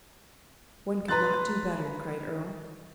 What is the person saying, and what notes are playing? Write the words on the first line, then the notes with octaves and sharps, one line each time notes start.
"One could not do better," cried Earle.
B4 A#5 C6 F#6 A6